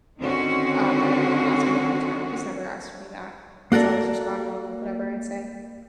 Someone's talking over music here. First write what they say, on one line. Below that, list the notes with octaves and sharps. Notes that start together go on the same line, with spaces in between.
Um, but I have people ask me that all the time, he's never asked me that; he's always just gone along with whatever I say
D3 D#3 C4 C#4 F#4
A#3 F#4 A4 A#4 D5